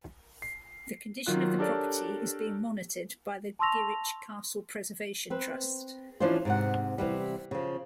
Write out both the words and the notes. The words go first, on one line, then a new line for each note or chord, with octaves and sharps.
The condition of the property is being monitored by the Gwrych Castle Preservation Trust.
C7
D#3 F#3 F4 F#6
D4 G4 A4 A#4 C#5 D5
A5 C6 C#6 E6 A#6 F7
C4 B4
E3 F3 C#4 D4 F4 C5
G#2 C3 F#5
C3 E3 G3
C#3 F3